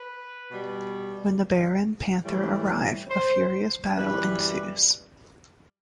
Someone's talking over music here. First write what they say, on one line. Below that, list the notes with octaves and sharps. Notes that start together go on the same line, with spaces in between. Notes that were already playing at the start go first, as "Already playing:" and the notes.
When the bear and panther arrive, a furious battle ensues.
Already playing: B4
B2 G3
A2 E3 G3
C5
F#2 E3 G3 B4